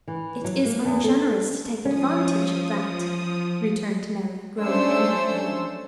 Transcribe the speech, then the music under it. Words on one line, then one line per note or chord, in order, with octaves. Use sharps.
"It is ungenerous to take advantage of that," returned Mary, growing angry again.
E3
F#3
A#3
E2
A4
F3 C#4 D#6
A3 C#4 D4 C5 C6 E6